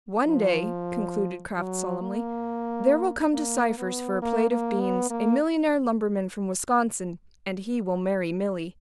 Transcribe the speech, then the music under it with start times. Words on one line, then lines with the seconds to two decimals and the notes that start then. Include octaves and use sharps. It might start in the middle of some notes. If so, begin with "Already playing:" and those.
"One day," concluded Kraft, solemnly, "there will come to Cypher's for a plate of beans a millionaire lumberman from Wisconsin, and he will marry Milly."
0.26 F3
1.58 F#3
2.02 A#3
3.34 A#3
3.78 B3
4.22 A#3
4.51 A#3
4.80 B3
5.10 A#3